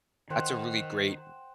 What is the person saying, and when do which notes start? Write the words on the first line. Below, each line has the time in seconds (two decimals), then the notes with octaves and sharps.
That's a really great,
0.30 D#3 C5 F#5 G5